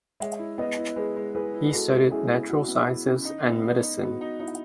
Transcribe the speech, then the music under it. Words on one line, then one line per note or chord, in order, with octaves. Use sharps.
He studied natural sciences and medicine.
G#3 C#5 E5
E4
B3 B4 D#5
E4
G#3 G#4 B4
G#3
E4 G#4 B4
E4
G#3 F#4 A4
G#3
C#3 E4 G#4
C#3
E4 F#4
B3
E4
C#3
D#4
B3
B3
D#4
B3 F#4
D#4
D#4 E4